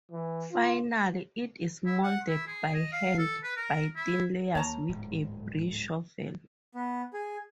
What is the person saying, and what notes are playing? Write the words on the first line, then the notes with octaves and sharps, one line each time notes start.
Finally, it is molded by hand by thin layers with a brie shovel.
E3
F4
E4
F#5
E4
G#4
D#5
F5
A4
B4
A#4
E4
D#2 D#3 A#3 C#5 A5 A#5
D1 G#2
B3
G#4